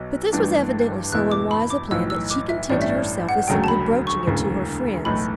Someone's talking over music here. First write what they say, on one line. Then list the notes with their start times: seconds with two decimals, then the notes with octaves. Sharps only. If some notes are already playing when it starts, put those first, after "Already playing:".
But this was evidently so unwise a plan, that she contented herself with simply broaching it to her friends.
Already playing: B1 B2 F#3
0.33 G1 G2 E3 A3 D4
1.11 E2 B2 A3 E4 F#6
1.32 D6
1.51 B5
1.70 D6
1.91 B1 A2 E3 E6
2.10 E6
2.30 D6
2.49 E5
2.70 A1 G2 E3 A3 C#4 D5
2.82 E5
2.90 D5
3.29 F#5
3.48 E1 D2 C#3 F#3 A3 G5
3.64 A5
3.68 B5
4.07 C#6
4.27 E1 D2 C#3 E3
5.05 B1 A2 E3 A3 B5